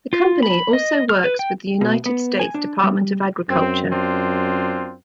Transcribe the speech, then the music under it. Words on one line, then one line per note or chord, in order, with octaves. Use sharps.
The company also works with the United States Department of Agriculture.
F4
B5
D#5
F6
B4
G5
B2
B3
G#5
D4
G3
F#2 C4
C4 D4 F4